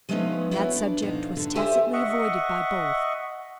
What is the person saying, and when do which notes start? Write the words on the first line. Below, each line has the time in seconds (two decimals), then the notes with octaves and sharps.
That subject was tacitly avoided by both.
0.09 F3 G#3 A3 B3 C#4 D#4
0.51 B3 E4 F#4 G#4 C#5
0.77 D4
1.02 F2 B2 D4 D#4 F4
1.37 D3
1.55 G4 A4 C5 D5 E5 G#5
1.93 D#5 E5 F#5 C#6